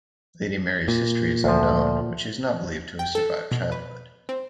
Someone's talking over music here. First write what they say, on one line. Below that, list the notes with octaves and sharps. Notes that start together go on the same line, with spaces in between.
Lady Mary's history is unknown, but she is not believed to have survived childhood.
A#2
D2 F3
G5
A4
B2
B4
C4